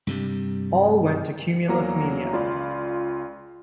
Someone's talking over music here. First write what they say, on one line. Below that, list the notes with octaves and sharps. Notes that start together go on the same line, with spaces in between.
All went to Cumulus Media.
G2 C3 G3
E2 F#3 A#3 A#5
C#2 F4 D5 B5